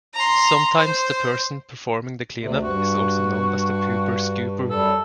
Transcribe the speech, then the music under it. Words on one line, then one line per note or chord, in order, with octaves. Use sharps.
Sometimes, the person performing the cleanup is also known as the pooper-scooper.
A#5 C6
C5
D2 C3
G2 F#4
F#2 G3 A4